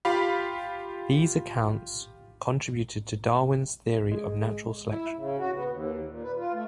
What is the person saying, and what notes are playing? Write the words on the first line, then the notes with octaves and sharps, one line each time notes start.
These accounts contributed to Darwin's theory of natural selection.
F4 G4 F5 B5
G#3
E4
C#3
F#4
B3
D#2
A#2
B4
F4
A3